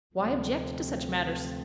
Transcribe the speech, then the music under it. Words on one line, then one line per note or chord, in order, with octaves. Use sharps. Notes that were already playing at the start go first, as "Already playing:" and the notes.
Why object to such manners?
D2 C3 F3 A3 C4